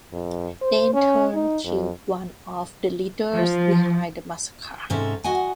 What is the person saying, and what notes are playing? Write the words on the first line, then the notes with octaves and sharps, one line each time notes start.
They in turn killed one of the leaders behind the massacre.
F2
C5
C#4
D#4
F2
F3
G#2 C3 C#4 D#4 A4 E5
F#4 D#5 F#5 G#5